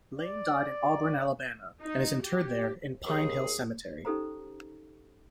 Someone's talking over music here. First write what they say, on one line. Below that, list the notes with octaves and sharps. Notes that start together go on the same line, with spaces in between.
Lane died in Auburn, Alabama, and is interred there in Pine Hill Cemetery.
D5
D#4
G4
D#2 G#4
C#4 D#4 G4 A4 C5 A#5